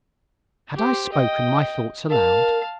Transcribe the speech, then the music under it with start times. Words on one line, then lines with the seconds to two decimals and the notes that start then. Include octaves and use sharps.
Had I spoken my thought aloud?
0.75 G4 C5
1.13 D#5 G5
2.10 A#4 F5 A5